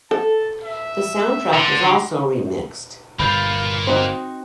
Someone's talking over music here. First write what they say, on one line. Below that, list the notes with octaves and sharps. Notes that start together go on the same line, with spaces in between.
The soundtrack was also remixed.
A4 A5
E5
D3 C6
G1 A#3 F4 B5 G6 A6
C4 D#4 F#4 C5